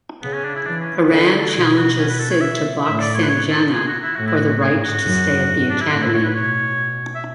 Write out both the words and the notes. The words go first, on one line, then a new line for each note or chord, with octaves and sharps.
Karan challenges Sid to box Sanjana for the right to stay at the academy.
C#3 B3
C#4
D4
E4
E3 D4
C#4
B3
D3 B3
C#4
A4
F#4
B2 G#4
F#4
C#4
B4
A4
C#5
E5
A2 E5
D5
C#5
B4
C#5
A4
G#4
F#4
E4
A2 F#4
E4
F#4
G#2 G#4
F#4
F#2
G#2
D4
E4
A2 F#4
E4
C#5
B4
B2 C#5
E5